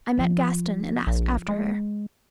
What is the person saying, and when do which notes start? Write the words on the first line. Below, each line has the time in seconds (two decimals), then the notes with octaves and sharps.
I met Gaston and asked after her.
0.17 F3
1.07 A#1
1.48 G#3